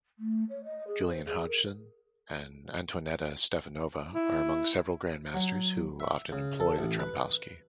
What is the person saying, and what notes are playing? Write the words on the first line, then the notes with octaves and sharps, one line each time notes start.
Julian Hodgson and Antoaneta Stefanova are among several grandmasters who often employ the Trompowsky.
A3
C#5
D#5
G#4
C5
G#4
A#4
E4
F#3
E5
C#3
A4
A1
B4